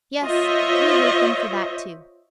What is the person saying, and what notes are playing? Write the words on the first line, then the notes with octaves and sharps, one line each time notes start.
Yes, we hate them for that too.
F4 C5 C#5 D#5 E5